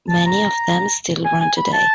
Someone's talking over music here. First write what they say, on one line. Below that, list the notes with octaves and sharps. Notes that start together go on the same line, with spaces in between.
Many of them still run today.
A5
A#5
G#5
G#5
B5
A5